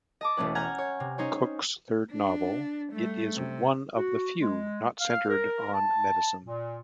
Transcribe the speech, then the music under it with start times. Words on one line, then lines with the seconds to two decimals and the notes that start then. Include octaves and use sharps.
Cook's third novel, it is one of the few not centered on medicine.
0.21 D#5 A5 D6
0.37 E1 A3 C#4 B4
0.55 F#5 G#5 A#5 F6 G6 G#6
0.78 C#5
1.00 C3
1.18 C#4 D#4 C5 C#5
2.12 D4
2.93 G3 A3
3.35 C3
3.96 F#4
4.41 G#3
4.99 F5
5.28 A#4
5.74 A5
6.45 A#2